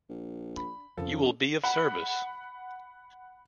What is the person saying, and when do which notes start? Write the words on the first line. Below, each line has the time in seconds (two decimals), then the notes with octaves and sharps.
You will be of service.
0.09 A#1
0.56 D4 B5
0.97 F2 D3 F3 C#4 A4
1.64 F#5 B5